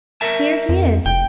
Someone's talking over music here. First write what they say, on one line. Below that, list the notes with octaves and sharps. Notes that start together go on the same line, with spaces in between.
Here he is.
A#4 E5 A5
F2
F1 G5